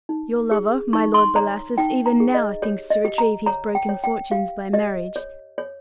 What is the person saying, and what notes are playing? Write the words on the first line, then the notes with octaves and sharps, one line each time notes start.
Your lover, my Lord Bellasis, even now, thinks to retrieve his broken fortunes by marriage.
D#4
G#4
D#4 C#6
C6
C#5 A#5
D#4 G5
A#5
G#4
D#5
G4 C#5
D#5
G4
A#5
C#5 A#5
G5
C#5
G5
G4 F5
G4 D#5
C#5
C#5